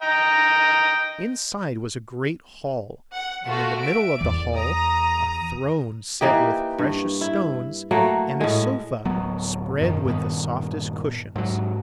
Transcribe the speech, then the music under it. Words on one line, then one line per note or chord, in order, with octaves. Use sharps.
Inside was a great hall, and in the middle of the hall a throne set with precious stones and a sofa spread with the softest cushions.
D#5 G5 A#5
F#5
A3 F4 F#4
E5 D7
E2 D5
A#5 D#6
E3 A#3 D#4 G4
G2
E4
F#3 A3 A#3
A2 G#3
D1 F#3 B3
F#2 A#2 D3 D#3
G2 A#2 D#3 B3
G#2 F#3